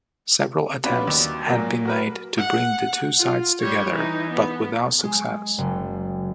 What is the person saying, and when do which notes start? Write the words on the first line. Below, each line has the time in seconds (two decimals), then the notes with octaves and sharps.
Several attempts had been made to bring the two sides together, but without success.
0.84 B3 C#4 D4 F4 F#4 B4
1.07 D#2
1.46 A#2 F#3 A#3
1.85 F#4 A#4 B4
2.38 F#5
3.19 F4
3.60 G3 C#5
3.91 E3 D#4
4.30 B3
5.03 G#3
5.58 F#1